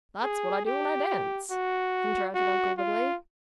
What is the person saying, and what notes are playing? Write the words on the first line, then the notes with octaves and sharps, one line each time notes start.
"That's what I do when I dance," interrupted Uncle Wiggily.
G#4
G4
F#4
F#4
F4